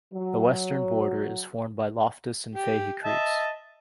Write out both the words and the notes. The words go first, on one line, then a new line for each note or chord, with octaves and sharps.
The western border is formed by Loftus and Fahy Creeks.
F#3
G4
D#5 E5 A5